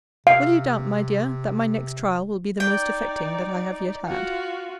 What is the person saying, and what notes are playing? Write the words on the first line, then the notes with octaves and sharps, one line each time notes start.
Will you doubt, my dear, that my next trial will be the most affecting that I have yet had?
C3 F5
D#4 D5 G5
F4 F#4